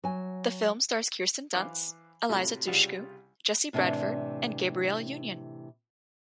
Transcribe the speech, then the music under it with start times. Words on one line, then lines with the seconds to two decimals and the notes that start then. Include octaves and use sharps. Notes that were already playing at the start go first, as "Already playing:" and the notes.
The film stars Kirsten Dunst, Eliza Dushku, Jesse Bradford, and Gabrielle Union.
0.04 F#3 G#5
1.53 E3 C5 F5 D6 F#6
2.29 A2 C3 A3 F4 F#4
2.67 C2 C#3 G3 F4 F#5
3.73 A2 C3 E3 D4 D5